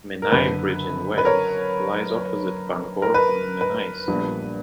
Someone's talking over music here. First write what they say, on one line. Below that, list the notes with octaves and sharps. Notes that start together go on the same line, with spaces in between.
Menai Bridge in Wales lies opposite Bangor on the Menai Strait.
A#4
F#1 F#2 D3 B4
B4
A#4 C#5
A#4
B4
B4
A#1 A#2 G3 B3 D4